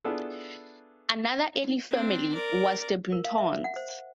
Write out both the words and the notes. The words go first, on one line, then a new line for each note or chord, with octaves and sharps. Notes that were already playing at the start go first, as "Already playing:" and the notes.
Another early family was the Buntons.
B3 D4 E4 F4 G#4 A4
C4 D4
A#4 D5
A#4
F5
E5
F#5
C5